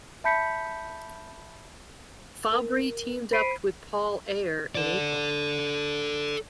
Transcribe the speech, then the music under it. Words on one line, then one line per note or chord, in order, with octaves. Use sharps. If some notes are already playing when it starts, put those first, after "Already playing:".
Fabbri teamed up with Paul Ayer in April.
E5 A5 B5 G6 B6 C#7
A#4
C5 B5 B6 C7 D7 D#7
A4 D5